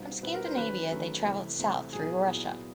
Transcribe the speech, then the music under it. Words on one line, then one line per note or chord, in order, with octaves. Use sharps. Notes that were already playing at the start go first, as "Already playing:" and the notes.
From Scandinavia they travelled south through Russia.
Already playing: B2 G3 C4 D#4 F5
B2 G3 C4 D#4 B4
A#4
C5
D#3 F#3 A3 C#4 B4
D#3 F#3 A3 C#4
C3 E3 A3
C3 E3 A3
A#2 F#3 B3 E4 G#4
A#2 F#3 B3 E4